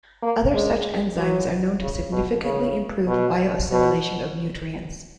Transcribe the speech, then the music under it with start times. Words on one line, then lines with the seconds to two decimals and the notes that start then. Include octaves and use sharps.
Other such enzymes are known to significantly improve bio-assimilation of nutrients.
0.22 A#3
0.54 G#3
1.17 F#3
1.80 C#3
2.12 B2
2.44 C#3
3.07 B2
3.71 B2